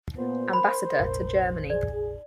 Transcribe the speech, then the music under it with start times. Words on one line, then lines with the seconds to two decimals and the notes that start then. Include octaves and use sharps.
Ambassador to Germany.
0.16 A#2 B3 C5
0.53 A#4 B5
1.00 F1 A#1
1.70 G#4 D5